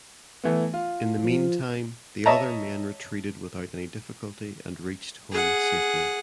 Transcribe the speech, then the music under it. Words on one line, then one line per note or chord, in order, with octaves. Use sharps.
In the meantime the other men retreated without any difficulty and reached home safely.
E3 A3 B3
F4
F3
C#5 D#5 E5 A5 A#5
G#4 F#5